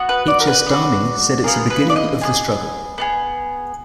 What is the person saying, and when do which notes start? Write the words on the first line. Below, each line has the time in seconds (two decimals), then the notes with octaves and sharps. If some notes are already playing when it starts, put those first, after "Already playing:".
H S Dhami said it's a beginning of the struggle.
Already playing: B3 F#4
0.09 B4
0.28 D5
0.40 A#4
0.47 B4
0.66 B3
0.69 D4 F#4
1.44 B3 F4 G#4 A#4
1.70 B4
1.89 D5
1.96 D#5
2.21 B3 F4 G#4
2.98 B3 F4 G#4